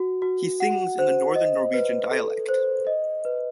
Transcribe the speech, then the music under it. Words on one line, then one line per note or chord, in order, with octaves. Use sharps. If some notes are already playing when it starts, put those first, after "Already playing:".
He sings in the Northern Norwegian dialect.
Already playing: F#4
F#4
F#5
C5
D#5
B4
A4
C5
D#5
B4